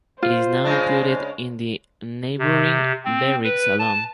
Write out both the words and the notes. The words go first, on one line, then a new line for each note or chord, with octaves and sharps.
It is now included in the neighbouring Berrick Salome.
F4 C5
C#3 G#3 D4
C3
C4
B4
A5